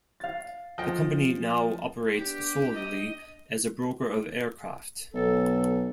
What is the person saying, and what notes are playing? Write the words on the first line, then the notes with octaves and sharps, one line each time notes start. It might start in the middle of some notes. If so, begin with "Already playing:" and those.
The company now operates solely as a broker of aircraft.
F5 A6
F3 D#5 G5
B3 D4 G4
D#5
B1 A4